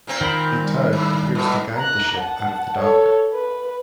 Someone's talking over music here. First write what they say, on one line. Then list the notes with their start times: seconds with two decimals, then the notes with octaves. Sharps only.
A tug appears to guide the ship out of the dock.
0.07 A#2 A#3 C4
0.21 D#3 G5 B5
0.57 G3
0.93 G#2
1.35 G#2 B2
1.77 A#5 F#6
2.18 F#5 A5
2.79 A4 C#5
3.32 B4